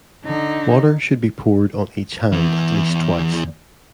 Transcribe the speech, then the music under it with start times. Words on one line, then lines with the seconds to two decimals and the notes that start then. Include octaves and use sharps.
Water should be poured on each hand at least twice.
0.25 D3 D#4
2.32 E2 E3